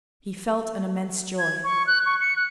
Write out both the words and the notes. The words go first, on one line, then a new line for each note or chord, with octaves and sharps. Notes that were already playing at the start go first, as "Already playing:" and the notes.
He felt an immense joy.
G#6
C#6
F#6
C#6
C#7
F#6